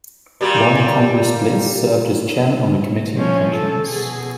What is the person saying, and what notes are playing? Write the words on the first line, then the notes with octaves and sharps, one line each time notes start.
While in Congress Bliss served as Chairman on the Committee on Pensions.
A#2 G3 G4
F3 C#4
A4
B2 G#4